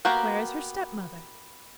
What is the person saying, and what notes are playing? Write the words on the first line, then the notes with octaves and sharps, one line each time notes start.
Where is her stepmother?
A#3 B3 F#4 G4 A#4